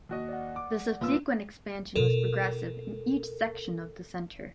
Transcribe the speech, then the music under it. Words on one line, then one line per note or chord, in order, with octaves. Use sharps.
The subsequent expansion was progressive in each section of the center.
D#2 F#4 D#5
D5 F#5
D6
G1 A#3 B3 F4 E6
B2 F4 A4 A#4